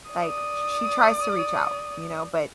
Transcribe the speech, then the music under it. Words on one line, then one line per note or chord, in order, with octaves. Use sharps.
like, sh sh she tries to reach out, you know, but
D5 D#6